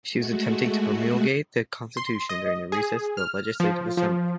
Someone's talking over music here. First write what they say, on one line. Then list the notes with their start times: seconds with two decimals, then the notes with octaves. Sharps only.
She was attempting to promulgate the constitution during the recess of the legislative assembly.
0.11 G#3 A3 F#4
1.97 C6
2.29 D#5
2.72 G#4
3.17 F6
3.60 F3
3.97 F3